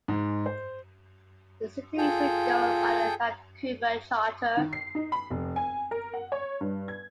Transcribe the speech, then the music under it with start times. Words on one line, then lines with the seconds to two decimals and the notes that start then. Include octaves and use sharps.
The city is governed by the Vancouver Charter.
0.08 G#2
0.46 C5
1.98 F4 G#4 A4 G5
4.57 D#3
4.73 C7
4.95 D#4
5.12 B5
5.30 F1
5.56 G#5
5.91 A#4
6.14 F#5
6.32 C#5
6.61 G2
6.88 G#6